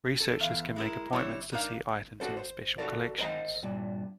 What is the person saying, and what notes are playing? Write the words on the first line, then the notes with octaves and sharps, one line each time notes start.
Researchers can make appointments to see items in the special collections.
A4
E2 E5 F5
G#3 E4 A#4
D3 G3 C4 E4 C#5
G#3 D4 D#4 A#4 F5
F#4 A4 C5
C5
F#4 A4 A#4 D5
A#4 C5 D#5 A#5
G2 A#2